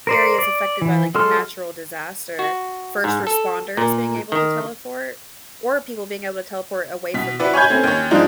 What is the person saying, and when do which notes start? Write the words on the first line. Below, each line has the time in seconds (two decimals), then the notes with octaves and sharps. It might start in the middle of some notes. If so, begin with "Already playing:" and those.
areas affected by, like, a natural disaster, first responders being able to teleport, or people being able to teleport away from danger would be
0.07 A#4 C5 D5
0.39 D5
0.82 E3
1.15 F#3 G#3 A4 C6 F6
2.39 F#4
3.04 G#2
3.27 A4
3.77 A#2
4.32 D#3
7.14 B2 B6
7.39 E4 F#4 B4 D5 E5
7.54 C#5 G#5 B5 C#6 G6 G#6
7.70 A3 C4 C#4
7.83 D#2 C#4 C#5
8.11 G#2 F3 G#3 D4 D#4 F4